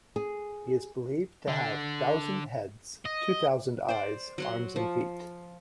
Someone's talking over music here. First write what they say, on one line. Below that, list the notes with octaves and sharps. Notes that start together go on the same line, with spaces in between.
He is believed to have thousand heads, two thousand eyes, arms and feet.
G#4
D3
D#5
C5 D5
F#3 F#5 C6
F3